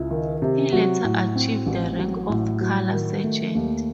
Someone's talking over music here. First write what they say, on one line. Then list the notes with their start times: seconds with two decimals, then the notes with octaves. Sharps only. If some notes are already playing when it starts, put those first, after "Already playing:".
He later achieved the rank of Colour Sergeant.
Already playing: C#2 E4
0.11 D#3
0.42 C3
0.72 F#3 F#4
1.04 A2
1.36 C4
1.67 A1
1.98 F#3
2.29 A2
2.61 F#3
2.92 D#3
3.23 A3
3.55 D#2